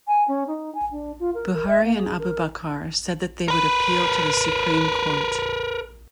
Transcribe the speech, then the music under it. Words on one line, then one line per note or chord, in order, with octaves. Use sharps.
Buhari and Abubakar said that they would appeal to the Supreme Court.
G#5
C#4
D#4
G#5
D4
F4
A#4
A#4
E5
A#3
G#4
A#4
A#4 B4